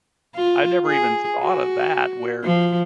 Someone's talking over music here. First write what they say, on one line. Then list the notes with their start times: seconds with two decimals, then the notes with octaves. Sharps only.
I never even thought of that where
0.36 F4
0.87 G#4
1.41 F#4
2.44 F3